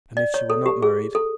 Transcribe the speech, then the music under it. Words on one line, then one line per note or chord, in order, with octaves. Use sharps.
"And if she were not married?"
D5
C#5
A4
G4
G#4
A4